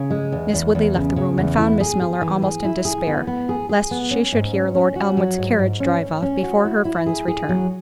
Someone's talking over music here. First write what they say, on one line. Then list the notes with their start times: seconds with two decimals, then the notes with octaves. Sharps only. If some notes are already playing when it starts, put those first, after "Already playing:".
Miss Woodley left the room, and found Miss Milner almost in despair, lest she should hear Lord Elmwood's carriage drive off before her friend's return.
Already playing: C#3
0.10 G#3
0.32 E2
0.53 E2
0.75 E2
0.95 C#3
1.16 C#3
1.38 E2
1.58 E4
1.80 G#4
2.01 G#4
2.21 E3
2.42 G#4
2.65 E4
2.85 G#4
3.07 B3
3.27 B3
3.49 G#4
3.69 G#4
3.91 B3
4.11 C#4
4.32 G#2
4.54 C#4
4.74 C#4
4.96 F#4
5.17 F#3
5.38 G#2
5.59 G#2
5.80 C#4
6.01 C#4
6.22 C#4
6.43 F#4
6.65 E4
6.85 E4
7.06 G#4
7.28 G#4
7.49 F#3